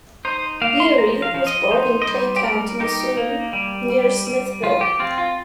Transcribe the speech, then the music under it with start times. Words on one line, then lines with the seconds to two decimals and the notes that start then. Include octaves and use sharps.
Beery was born in Clay County, Missouri, near Smithville.
0.25 D#4 C5
0.62 A#3 F5
0.80 C6
0.98 F3 A#5
1.22 F5
1.35 F3
1.47 D#5
1.71 D#4 C5
2.02 D#5
2.08 G3 C5
2.36 G4
2.44 G3 A#4
2.80 D#4 G4
3.17 A#3
3.53 G3
3.90 G3
4.27 G3
4.63 F3 F4
4.81 G4
4.99 C4 F4
5.18 F4